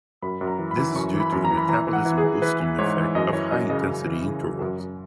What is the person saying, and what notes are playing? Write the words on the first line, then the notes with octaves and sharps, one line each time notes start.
This is due to the metabolism-boosting effects of high intensity intervals.
F#2 B5
F#2
A#5
E3
B5
E3
F#2 C#6
E3
B5
F#2
A#5
E3
B5
E3 A#5
E3
F#5
E3
G#4
E3
E3 B4
E3
G#2 C#5
E3
F#2 D#5
E3 C#5
F#2 D#5
C#3 D#5
F#2
E3
C#3
F#2
F#2
F#2